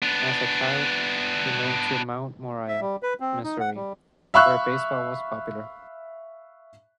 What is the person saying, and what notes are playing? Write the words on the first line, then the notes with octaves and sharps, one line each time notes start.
As a child, he moved to Mount Moriah, Missouri, where baseball was popular.
B3 D4
E5
G3
B4
C4
D#4
F#5
G3
E5 F5 B5 C#6 E6 F#6